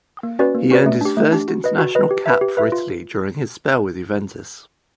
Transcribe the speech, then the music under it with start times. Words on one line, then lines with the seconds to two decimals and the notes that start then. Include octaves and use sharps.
He earned his first international cap for Italy during his spell with Juventus.
0.23 A#3
0.39 C#4 F#4 B4 D5
0.55 A#3
0.71 C#4 F#4 B4 D5
0.86 A3
1.01 D4 G4
1.17 A3
1.32 D4 G4
1.48 F#4
1.64 B4 D#5
1.79 F#4
1.95 B4 D#5
2.11 G4
2.26 B4 E5
2.41 G4
2.57 B4 E5
2.72 F4